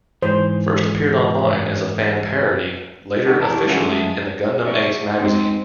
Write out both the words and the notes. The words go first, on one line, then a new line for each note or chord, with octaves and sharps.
First appeared online as a fan parody, later officially in the Gundam Ace magazine.
G#2 E3 C5
B3 D4 D#4 F#4 G4 B4
E2 A#4 A5
D4 E4 G4 C#5
G3 A3 C#4 F4 F#4
F#2 G#3 A3
F#4 D5 E5
G#3 C4 D#4